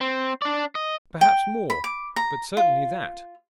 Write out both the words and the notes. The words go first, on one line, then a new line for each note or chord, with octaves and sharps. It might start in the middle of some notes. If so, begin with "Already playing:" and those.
Perhaps more, but certainly that.'
C4
D4 D5
D#5
G5
B5
D6
A#5
F4